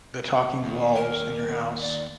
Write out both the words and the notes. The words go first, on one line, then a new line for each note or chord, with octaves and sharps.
the talking walls in your house,
D#2
A#4
D5